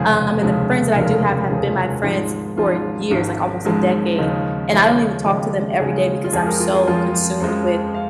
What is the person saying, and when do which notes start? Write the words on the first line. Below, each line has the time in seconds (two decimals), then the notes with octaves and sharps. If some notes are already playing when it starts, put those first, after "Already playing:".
um, and the friends that I do have, have been my friends for years, like, almost a decade, and I don't even talk to them everyday, because I'm so consumed with
Already playing: F1 D#2 C#3 F3 G#3 G#4
0.41 F1 D#2 C#3 F3 G#3
0.96 F1 D#2 C#3 F3 G#3 A#4
1.49 F1 D#2 C#3 F3 G#3 G#4
1.67 F4
1.85 G#4
2.03 G#1 G#2 F3 G#3 F4
2.57 G#1 G#2 F3 G#3 F4
3.11 G#1 G#2 F3 G#3
3.65 G#1 G#2 F3 G#3
4.18 D#2 C#3 F3 G#3 D#4
4.72 D#2 C#3 F3 G#3 C#4
5.26 D#2 C#3 F3 G#3 D#4
5.79 D#2 C#3 F3 G#3 G#4
6.24 F4
6.33 F2 F3 G#3 G#4
6.47 A#4
6.60 F4
6.73 G#4
6.87 F2 F3 G#3 F4
7.40 F2 F3 G#3
7.94 F5